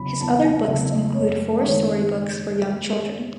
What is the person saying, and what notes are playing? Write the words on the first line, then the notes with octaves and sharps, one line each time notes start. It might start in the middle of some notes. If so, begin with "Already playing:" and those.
His other books include four-story books for young children.
Already playing: E2 C#3 F#3 C#4 E4 B5
E2 A5
G#5
C#3 F#3 C#4 E4 E5
D#5
F#2 C#5
D#3 G#3 C#5